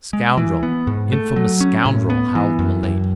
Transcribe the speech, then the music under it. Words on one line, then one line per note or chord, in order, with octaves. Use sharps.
"Scoundrel, infamous scoundrel!" howled Milady.
G#3
E3
B3
G#2
A3
F#3
C#4
A2
B3
E3
F#2
F#2